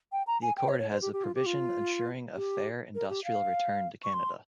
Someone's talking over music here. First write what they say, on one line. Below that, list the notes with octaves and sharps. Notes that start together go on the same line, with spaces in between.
The accord has a provision ensuring a fair industrial return to Canada.
G5
A#5
G#5
G5
C#5
C#5
C5
G4
G4
F4
G4
F4
G4
A#4
G4
F5
C#6
C6